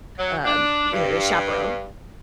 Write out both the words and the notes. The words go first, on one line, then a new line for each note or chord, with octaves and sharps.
um, you know, a chaperone.
F#3
D4
G2